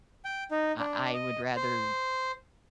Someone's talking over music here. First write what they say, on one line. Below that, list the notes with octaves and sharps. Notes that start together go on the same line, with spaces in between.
I I would rather
G5
D#4
D4
D#5
C5